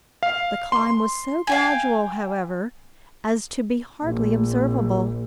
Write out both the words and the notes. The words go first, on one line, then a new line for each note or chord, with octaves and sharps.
The climb was so gradual, however, as to be hardly observable.
F5
C6
F5 G5 G#5
A#1